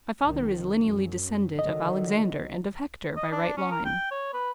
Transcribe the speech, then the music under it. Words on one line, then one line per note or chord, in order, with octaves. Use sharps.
My father is lineally descended of Alexander and of Hector by right line.
C2 D#3
F#2
D3 D#3 F#3 D#5
D#5
D4
C#4
A#4
G5
C#5
B4